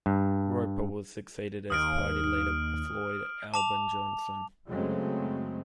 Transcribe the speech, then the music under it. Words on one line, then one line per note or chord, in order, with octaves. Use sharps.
Roper was succeeded as party leader by Floyd Albin Johnson.
G2
D#2 D#6 F6 D7
A5 D6 F7
F#2 C#3 F#3 G#3 A3 C4